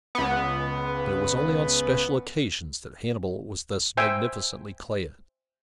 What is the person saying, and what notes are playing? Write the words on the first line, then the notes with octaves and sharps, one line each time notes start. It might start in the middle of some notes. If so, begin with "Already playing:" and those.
But it was only on special occasions that Hannibal was thus magnificently clad.
C#2 B3
C5 E5 G5 G#5